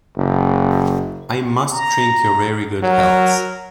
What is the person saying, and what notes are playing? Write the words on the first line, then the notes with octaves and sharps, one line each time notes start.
I must drink your very good healths.
F#1
A#5
F#3 A#4